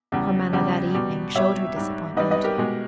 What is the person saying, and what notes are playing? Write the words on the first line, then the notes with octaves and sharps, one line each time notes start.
Her manner that evening showed her disappointment.
E2 C#3 G3
E2 C#3 G3
B2 G3
B2 G3 C#5 E5
G#2 G3
G#2 G3 B4 D#5
B4 D#5
G4 A#4
B2 G#3